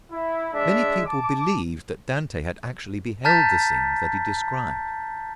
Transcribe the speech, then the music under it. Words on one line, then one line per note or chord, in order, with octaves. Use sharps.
Many people believed that Dante had actually beheld the scenes that he described.
E4
G#3 D4 E5
A5 D6
A5 A#5 F6 G6 A6 B6